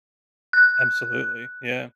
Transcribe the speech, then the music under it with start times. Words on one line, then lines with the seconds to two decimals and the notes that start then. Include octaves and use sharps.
Absolutely. Yeah.
0.53 F#6